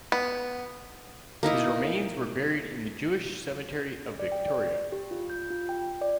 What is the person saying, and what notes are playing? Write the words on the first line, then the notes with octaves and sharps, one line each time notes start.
His remains were buried in the Jewish Cemetery of Victoria.
B3
A#3 D#4 E4 D#5
D5
G5
D5
G4
F4
G6
F4
G5
D5